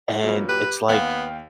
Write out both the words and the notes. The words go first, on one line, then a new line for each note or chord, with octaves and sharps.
And it's like
G2 A#2 F#3
G4 B4
D#2 B3 F5 G5